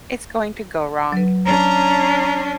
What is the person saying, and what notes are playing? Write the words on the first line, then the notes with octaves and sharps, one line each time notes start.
it's going to go wrong,
F#3 B4
C#4 D4 A#5